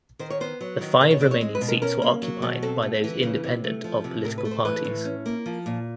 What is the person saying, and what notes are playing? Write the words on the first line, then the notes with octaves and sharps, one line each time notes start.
The five remaining seats were occupied by those independent of political parties.
D#3 C5
C#5
B3 C5
F#3
D#3
B2 B4
C#5
C4 D5
C#5
G#3
B4
B2
A#4
C#4 A#4
A#3
F#3
B2
C4 A4
A3
E3
C#3
C3
A3
F3
C3
A2 A#4
B4
A3
C5
E3 B4
A2
C#4
A#3
F3
A#2